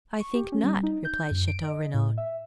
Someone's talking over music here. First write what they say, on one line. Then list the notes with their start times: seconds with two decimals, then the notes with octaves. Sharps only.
"I think not," replied Chateau-Renaud.
0.20 C#6
0.35 G4
0.52 C#4
0.64 G3
0.83 D#4
1.05 G6
1.31 F#2
1.47 D7
1.63 D#5
1.94 A2
2.18 E5